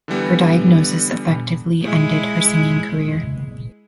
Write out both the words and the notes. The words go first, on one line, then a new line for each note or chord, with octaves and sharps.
Her diagnosis effectively ended her singing career.
D3 E3 G3 B3
G#3 E4